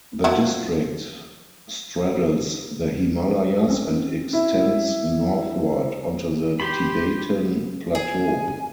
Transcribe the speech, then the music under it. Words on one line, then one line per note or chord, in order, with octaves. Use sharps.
The district straddles the Himalayas and extends northward onto the Tibetan plateau.
F3 F#3 E4
C4 C#4
E4
G4 B5 C6
G#4 G#5